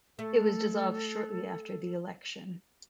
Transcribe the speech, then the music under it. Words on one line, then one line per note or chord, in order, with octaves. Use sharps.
It was dissolved shortly after the election.
A3 A4